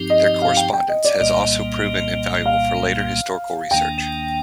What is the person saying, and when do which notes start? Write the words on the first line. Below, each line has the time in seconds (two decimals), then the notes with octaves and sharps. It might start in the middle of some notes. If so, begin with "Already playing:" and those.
Their correspondence has also proven invaluable for later historical research.
Already playing: G2 F3 C4 D#4 G4
0.10 D#5
0.26 D#5
0.42 F5
0.57 G5
0.73 G5
0.89 D#5
1.05 D5
1.20 C2 A#2 G3 A#3 D#5
2.46 F5
3.71 D#2 D#3 A#3 D4 G5